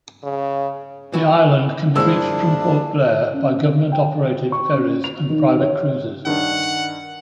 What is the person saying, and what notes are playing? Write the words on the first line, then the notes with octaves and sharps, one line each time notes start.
The island can be reached from Port Blair by government-operated ferries and private cruises.
C#3
E3 E4 F#4
G2 F3 G#3 A#3 D4 E4 G#4 E6
C#4
G5
C#6
C#4
F7
D#3
C#5
G2 D#3 D4 F#5